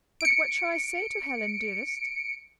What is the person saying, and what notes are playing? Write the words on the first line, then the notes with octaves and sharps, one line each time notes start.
"But what shall I say to Helen, dearest?"
C#7 D7